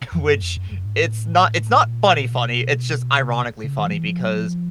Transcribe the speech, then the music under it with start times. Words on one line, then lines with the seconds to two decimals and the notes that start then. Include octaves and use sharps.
which it's not it's not funny funny, it's just ironically funny, because
0.12 F2
0.28 G2
0.42 F2
0.57 F#2
0.71 F#2
0.85 G#2
1.01 A2
1.88 A#2
2.32 B2
3.20 C3
3.64 C#3
3.78 D#3
3.86 F3
3.92 E3
4.07 F3
4.22 F#3
4.37 F3